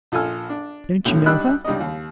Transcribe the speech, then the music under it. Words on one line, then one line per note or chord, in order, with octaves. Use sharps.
"Don't you know her?"
A#1 F4 A4 G#5 E6 F6
D4
B1 A2 D3
G3 D4 D#4 B5 E6 F#6
C#2 G3 D4 D#4 D#5
D#2